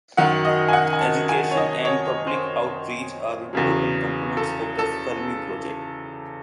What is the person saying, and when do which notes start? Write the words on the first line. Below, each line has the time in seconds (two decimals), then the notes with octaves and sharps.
Education and public outreach are important components of the Fermi project.
0.17 F#2 D#3 F#3 F#5
0.45 D#5
0.68 G#5
0.73 F#5
0.93 G#5
1.01 A5
1.29 G#5
1.51 C#5
1.57 D#5
1.85 C#5
2.27 C5
3.53 E2 C#3 F#3
4.37 A4
4.79 A4